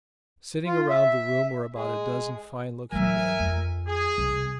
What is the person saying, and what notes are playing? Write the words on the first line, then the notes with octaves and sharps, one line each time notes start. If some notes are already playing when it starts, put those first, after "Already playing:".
Sitting around the room were about a dozen fine-looking men.
F4
E5
G#3
E3 F#3 A#4 E5 G#5
F2
G#4
C2